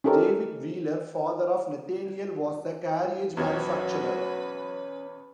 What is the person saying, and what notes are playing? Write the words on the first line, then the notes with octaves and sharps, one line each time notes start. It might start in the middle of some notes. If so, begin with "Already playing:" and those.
David Wheeler, father of Nathaniel, was a carriage manufacturer.
C#4 D#4 G4 A4 A#4
E2 B2 F#3 C#4 F#4 B4 C#5